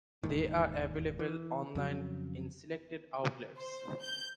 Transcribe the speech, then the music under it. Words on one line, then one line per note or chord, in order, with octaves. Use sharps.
They are available online and in selected outlets.
E1 D#2 G#2 D#3
E3
F2 C#3 F#3
C5
G6